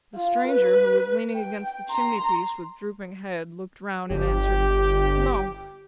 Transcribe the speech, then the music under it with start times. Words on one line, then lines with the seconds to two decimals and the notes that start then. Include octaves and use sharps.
The stranger, who was leaning against the chimneypiece with drooping head, looked round and answered, 'No.
0.15 F4
0.48 B4
1.33 G5
1.89 A#5 C6
4.10 G1 G4